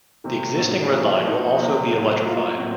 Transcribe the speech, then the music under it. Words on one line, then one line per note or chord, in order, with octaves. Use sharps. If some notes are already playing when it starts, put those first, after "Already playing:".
The existing red line will also be electrified.
C3 D#3 A3 C4 D#4
A2 A3 D#4 F#4
A#2 F3 A3
F3 A#3 D#4 F#4
C3 F#3 A#3
A2 F#3 A#3
F#3 A#3 F4
A2 F#3 C4 F#4